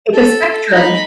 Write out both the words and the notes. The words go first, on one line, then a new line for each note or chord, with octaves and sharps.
It's a spectrum.
A4
D#4 B5